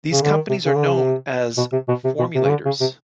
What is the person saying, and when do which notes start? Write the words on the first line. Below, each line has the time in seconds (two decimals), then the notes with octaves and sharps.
These companies are known as "formulators".
0.12 C#3
0.23 D3
0.34 D#3
0.49 C3
0.65 C#3
0.76 D3
0.87 C#3
0.95 C3
1.58 B2
1.72 C3
1.88 B2
2.04 C3
2.19 B2
2.35 C3
2.44 C#3
2.50 D3
2.66 C#3
2.80 C3